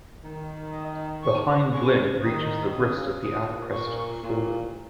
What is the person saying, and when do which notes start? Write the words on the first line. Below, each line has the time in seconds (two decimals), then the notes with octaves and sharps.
The hind limb reaches the wrist of the adpressed fore limb.
0.23 D#3
0.73 D#5
1.23 C#6
1.72 C#3 C#6
2.22 D#3 D#6
2.72 C#3 D#6
3.22 A#2 D#6
3.72 A#2 C#6
4.22 A#2